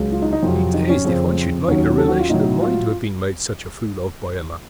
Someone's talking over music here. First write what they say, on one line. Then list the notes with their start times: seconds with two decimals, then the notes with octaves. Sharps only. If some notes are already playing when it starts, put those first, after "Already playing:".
Be dazed if I should like a relation of mine to have been made such a fool of by a man.
Already playing: C#2 C#3 F#3
0.12 F4
0.22 D#4
0.33 D#4
0.43 F2 C3 F#3 F4
0.74 D#4
0.89 C#4
1.05 F2 C#3 F3 C4
1.68 D#2 D#3 F#3 C#4
1.98 A4
2.08 F#4
2.19 F4
2.30 A2 F#3 D#4
2.61 F4